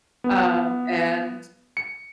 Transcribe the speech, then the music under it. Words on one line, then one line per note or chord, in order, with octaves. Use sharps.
Um, and,
B3
C#7